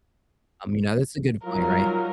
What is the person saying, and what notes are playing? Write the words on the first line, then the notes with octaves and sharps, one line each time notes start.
um, you know, that's a good point, right?
F#3 G3 D#4 F4 A#4